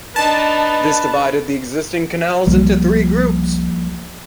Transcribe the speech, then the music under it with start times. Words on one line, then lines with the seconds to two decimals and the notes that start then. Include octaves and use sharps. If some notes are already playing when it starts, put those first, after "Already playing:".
This divided the existing canals into three groups.
0.16 D4 D#4 B4 A5
2.47 C2 F3 G3 A#3